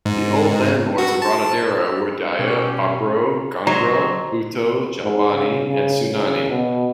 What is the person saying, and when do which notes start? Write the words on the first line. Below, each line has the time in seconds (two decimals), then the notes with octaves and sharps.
The old land lords of Ratodero were Daya, Abro, Ghanghra, Bhutto, Jalbani and sunnani.
0.06 G#2
0.98 F#4
1.22 A5
2.39 B2 C#4 G4
3.67 F#3 C5 D#5 A#5
5.03 G#2
5.34 C#3
5.68 C#3
6.10 C#3
6.50 B2